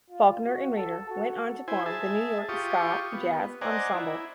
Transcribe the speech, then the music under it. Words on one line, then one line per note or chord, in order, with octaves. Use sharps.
Faulkner and Reiter went on to form the New York Ska Jazz Ensemble.
F4
F#4
A4
F#4
E4 C5 G#5
G#4 E5 A5
F4 G4 C#6 D#6
B3
C5 D5 D#5 F#5 G#5 A#5
E4